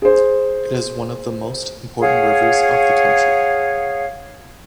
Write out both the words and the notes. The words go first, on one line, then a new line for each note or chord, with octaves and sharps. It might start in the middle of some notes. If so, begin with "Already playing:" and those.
It is one of the most important rivers of the country.
G#4 C5
G#4 C#5 F5 F#5